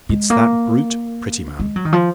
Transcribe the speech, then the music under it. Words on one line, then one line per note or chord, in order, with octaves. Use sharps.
It's that brute, Prettyman.
G#3
A#3
G#3
F#3
D#3
F3